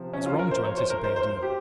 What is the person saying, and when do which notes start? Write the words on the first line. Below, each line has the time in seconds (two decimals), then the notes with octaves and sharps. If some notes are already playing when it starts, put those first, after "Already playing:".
'It's wrong to anticipate evil.
Already playing: C3 F3
0.13 C#4
0.26 F4
0.39 A#4
0.51 C5
0.65 C#5
0.77 C5
0.90 A#4
1.04 C5
1.16 C5
1.43 G4